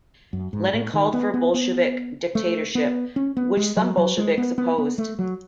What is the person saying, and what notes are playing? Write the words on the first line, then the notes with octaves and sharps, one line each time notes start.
Lenin called for a Bolshevik dictatorship, which some Bolsheviks opposed.
F#2
G#2
A2
D#3
B3
B3
B3
A3
B3
C#4
B3
G#3
F#3
F#3
G#3
B3
B3
B3
A3
F#3